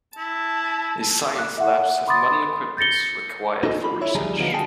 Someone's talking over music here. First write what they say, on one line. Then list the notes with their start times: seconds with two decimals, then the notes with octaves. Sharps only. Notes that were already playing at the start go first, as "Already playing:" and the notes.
The Science Labs have modern equipments required for research.
0.18 E4 A5
1.36 D6 F#6
1.58 E5 F#5
2.07 B5 C6 D6 D#6 A6
2.77 G6 A6 A#6 C#7 G7
3.63 D#4 F#4 A4 D#5
3.81 F4 B5
4.01 E4 C#5
4.15 D2 F3 G3 D#4 G#4 A#5
4.38 D3 F3 B3 D#4 F4 F#4
4.53 D3 F#4 G#4 G5 A5